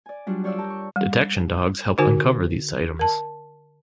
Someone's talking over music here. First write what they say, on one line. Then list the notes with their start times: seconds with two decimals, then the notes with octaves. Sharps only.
Detection dogs help uncover these items.
0.06 D5 G#5
0.26 F#3 G3 D4 F4
0.44 G4 C#5 D5 F5 G5 E6
0.58 G4 A#4 A5
0.70 C#6
0.96 G3
1.98 D3 D#4 F#4 A#4 C5 G#5
2.99 A#4 A5